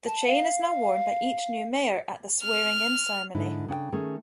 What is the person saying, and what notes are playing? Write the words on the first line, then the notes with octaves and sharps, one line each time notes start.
The chain is now worn by each new mayor at the swearing-in ceremony.
A5
F5
F6
G#2 D3 D#4 E4
C#3 D4 F#5 G5
D#3 A3 C#4 G#4